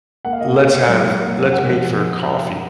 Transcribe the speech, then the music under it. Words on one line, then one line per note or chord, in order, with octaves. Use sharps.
"Let's have let's meet for a coffee."
A#3 F#5
F5
A#2 D#5
F5
A#3
A#2
F#3
F#3
A#3
F#3
A#2 F#5
F3
A#2